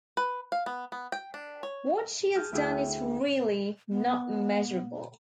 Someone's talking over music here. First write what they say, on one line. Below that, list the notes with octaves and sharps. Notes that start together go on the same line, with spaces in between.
What she has done is really not measurable.
B4
F5
B3
B3
G5
D4
C#5
G#4 A5 F6 G6
D2 E4 G#4 G5 D#6
B3